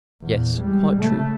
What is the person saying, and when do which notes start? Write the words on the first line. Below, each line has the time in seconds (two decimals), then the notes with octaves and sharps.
"Yes, quite true."
0.22 E2 A#2
0.57 G3 G#3
0.98 C#3 A3